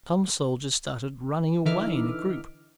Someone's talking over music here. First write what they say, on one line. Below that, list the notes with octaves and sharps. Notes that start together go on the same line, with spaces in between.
Some soldiers started running away in a group.
D3 E3 D#4 E5 D6 F6